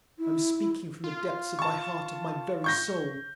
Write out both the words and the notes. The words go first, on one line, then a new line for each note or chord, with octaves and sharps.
I am speaking from the depths of my heart--of my very soul.
E4
F4
A5 C#6
C#6 G6 A#6